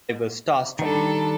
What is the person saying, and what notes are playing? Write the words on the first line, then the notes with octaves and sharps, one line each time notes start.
I was star-struck.
D#3 G3 D4 A4